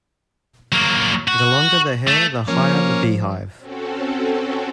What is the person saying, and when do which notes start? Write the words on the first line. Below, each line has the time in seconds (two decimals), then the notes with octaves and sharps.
The longer the hair, the higher the beehive.
0.72 F#3 A#3
1.28 F#4
2.08 A3
2.48 F3 A#3 C#4
3.58 C4 C#4 F#4 A4